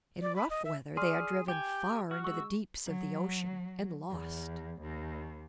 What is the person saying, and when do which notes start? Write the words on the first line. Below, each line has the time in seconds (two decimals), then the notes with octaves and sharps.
In rough weather they are driven far into the deeps of the ocean, and lost.
0.22 D5
0.36 B5
0.50 D#5
0.65 E5
0.97 G#4 D5 C6 F6
1.48 G4 G5 G#5 G6
2.11 F#4 F6
2.24 G#3 C#6 E6
2.86 F#3
4.10 E2
4.81 D#2